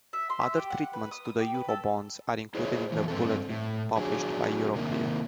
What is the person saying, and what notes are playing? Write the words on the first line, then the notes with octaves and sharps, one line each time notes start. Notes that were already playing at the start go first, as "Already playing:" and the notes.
Other treatments to the Eurobonds are included in the bulletin published by Euroclear.
E5
C6
E5
G4
F#5
B4
D#6
D#6
G4
B4
A4
E4 G#4 C5 C#5
F#2 D3 E3
G2 C4 A4
A2
F#3 D4 G#4
C3 D#3 A#3